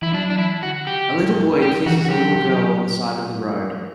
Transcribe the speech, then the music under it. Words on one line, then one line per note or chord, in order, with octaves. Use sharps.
A little boy kisses a little girl on the side of the road.
E3 E4
F#3 D4
D4
E3 E4
D3 F#4
C#3 G4
A#2
F#2
E3 G4
E3 F#4
F#4
F#3 G4
F#3
E3